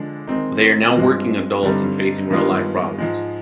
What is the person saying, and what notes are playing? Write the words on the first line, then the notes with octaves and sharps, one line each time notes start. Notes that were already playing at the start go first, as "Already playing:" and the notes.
They are now working adults and facing real life problems.
Already playing: D3 F3 G#3 D4
D#3 G#3 C4 D#4
G2 F3 G#3 C4
G2 D3 G3 C4 D#4
G2 D#3 G#3 B3 F4
G#2 F3 G#3